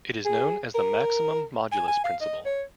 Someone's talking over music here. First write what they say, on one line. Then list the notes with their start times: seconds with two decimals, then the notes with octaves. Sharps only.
This is known as the maximum modulus principle.
0.25 G#4
0.74 A#4
1.72 G#5
1.88 G#5
2.04 F5
2.21 D#5
2.45 C#5